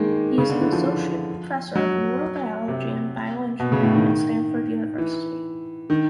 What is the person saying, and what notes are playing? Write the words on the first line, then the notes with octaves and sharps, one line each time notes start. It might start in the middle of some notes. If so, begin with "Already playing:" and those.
He is an Associate Professor of Neurobiology and Bioengineering at Stanford University.
Already playing: D#3 G#3 A#3
C#3
D3
E3
F3
F#3
C3
B2
C#3
A2
D#3
E3
D#3